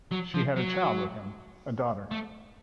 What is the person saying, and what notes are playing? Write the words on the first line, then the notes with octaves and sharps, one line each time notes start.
She has a child with him, a daughter.
F#3
F3
F#3
A3